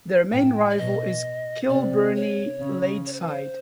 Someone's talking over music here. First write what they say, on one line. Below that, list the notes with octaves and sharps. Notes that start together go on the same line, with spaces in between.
Their main rival is Kilbirnie Ladeside.
A2 G5
D5
B2 D#5
C3 D5
C#5
C#3
C#5
C5
B4
C5